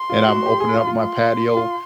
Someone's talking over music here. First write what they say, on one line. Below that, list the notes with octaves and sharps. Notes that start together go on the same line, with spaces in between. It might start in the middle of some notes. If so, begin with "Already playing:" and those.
and I'm opening up my patio,
Already playing: C6
F4
F#4
G4
G#4
F4
F4
C6
F4